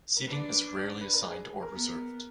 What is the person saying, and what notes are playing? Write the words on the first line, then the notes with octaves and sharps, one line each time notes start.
Seating is rarely assigned or reserved.
A#4
D4 B4
B4
D5
B4
A#4
G#4
A#4
B3